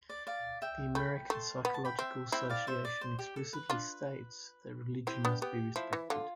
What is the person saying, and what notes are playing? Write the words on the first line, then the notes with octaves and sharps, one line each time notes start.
The American Psychological Association explicitly states that religion must be respected.
D5
D5 F5
E5 G5
A3 G5 B5
A3 A5 C6
B3 B5
A5
G5 B5
C4 E5 G5
C4 E4 E5 G5
D5 F5
C5 E5
D5
C5
G4
A4
B4
D4 F4
C4 E4 G4
B3 D4
B3 G4
F3 E4
E3
D3 F4